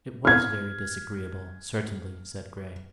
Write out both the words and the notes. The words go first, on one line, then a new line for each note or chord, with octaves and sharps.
"It was very disagreeable, certainly," said Grey.
F6 G#6